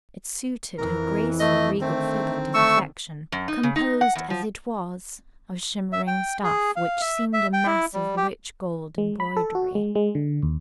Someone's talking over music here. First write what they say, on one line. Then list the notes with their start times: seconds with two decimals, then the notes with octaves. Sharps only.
It suited her graceful, regal figure to perfection, composed as it was of shimmering stuff which seemed a mass of rich gold embroidery.
0.78 F2 E3 A#4
1.40 A3 D#5
1.82 D3 D#3 A3 C4
2.54 A3 C#6 E6
3.32 F#2
3.48 D#4
3.63 C#3
3.76 D#4
4.01 F#5
4.15 E2
4.30 F3
5.93 E5
6.07 G5
6.43 G#4
6.76 F5
7.01 E5
7.33 E5
7.53 G5
7.67 E4
7.94 G3
8.17 G4
8.98 G#3
9.20 B5
9.37 A4
9.55 F#4
9.75 G#3
9.95 G#3
10.15 D3
10.43 D#2